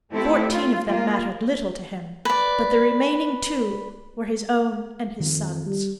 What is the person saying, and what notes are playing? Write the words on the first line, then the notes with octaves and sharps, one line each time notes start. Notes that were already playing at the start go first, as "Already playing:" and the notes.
Fourteen of them mattered little to him, but the remaining two were his own and his son's.
A3 C4 E4 F4 G4 A4
F4
A#3 F4
B4 D5
F2 D#3
G3